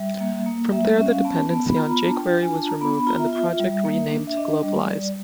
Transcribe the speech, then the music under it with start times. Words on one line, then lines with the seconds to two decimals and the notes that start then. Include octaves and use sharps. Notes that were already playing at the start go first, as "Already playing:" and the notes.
From there the dependency on jQuery was removed and the project renamed to Globalize.
Already playing: G3 E5
0.20 A#3
0.46 A#3
0.72 G3 E5
0.90 E5
0.98 C#4
1.07 F5
1.25 B3 A5
1.50 B3
1.69 B5
1.76 F4 A#5
1.89 B5
1.99 A#5
2.03 D4 A5
2.16 G5
2.29 F4
2.42 G#5
2.55 D4 A5
2.68 A#5
2.81 B3 B5
2.94 B5
3.07 F4 A#5
3.19 E5
3.33 F4 E5
3.60 G3
3.85 A#3
4.11 D4
4.27 E5
4.37 D4 D#5
4.63 G3
4.90 G3 D5